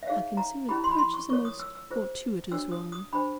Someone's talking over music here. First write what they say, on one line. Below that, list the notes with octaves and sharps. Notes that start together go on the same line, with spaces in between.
I consider the purchase a most fortuitous one.
E5
D#4 G#4 C#5 F5
A#5
C#4 E4 G4 B5
C6
B5
C6
C#6
F4 A#4 C#5 C#6
D#6
E6
E6
F4 G#4 C5
D4 F#4 A#4 C#5 E6
D#6
D#6
D4 G4 C5 B5